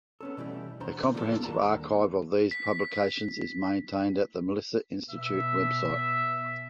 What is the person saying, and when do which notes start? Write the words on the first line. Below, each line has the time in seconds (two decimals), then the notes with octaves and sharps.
A comprehensive archive of these publications is maintained at the Melissa Institute website.
0.21 B3 C#4 A4
0.37 B2 E3 G3 A3
0.80 E2 D4 C5 A#5
1.14 D3 F3 G#3 C#4 A4 A#4
1.42 D#2 D3 G3 A#3 A5 A#5
2.51 B6
5.10 B2 E5